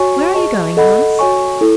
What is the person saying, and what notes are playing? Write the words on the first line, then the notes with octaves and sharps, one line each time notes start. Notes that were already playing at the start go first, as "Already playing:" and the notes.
'Where are you going, Hans?'
Already playing: F#4 C#5 G#5 C#6
G#4 D#5 A5 C#6
A4 D#5 F#5 B5
F#4 C#5 G#5 C#6
E4 A4